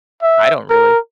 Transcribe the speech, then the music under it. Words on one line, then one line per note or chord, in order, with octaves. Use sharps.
I don't really.
E5
A#4